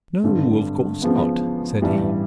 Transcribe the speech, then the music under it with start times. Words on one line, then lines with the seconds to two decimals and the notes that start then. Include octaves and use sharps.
"No, of course not," said he.
0.23 G#1 G2 D3
1.02 E2 C#3 F3 G#3 B3
1.82 A1 G2 E3 G3